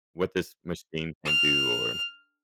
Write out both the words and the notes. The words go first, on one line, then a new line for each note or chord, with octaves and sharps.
what this machine can do," or
F6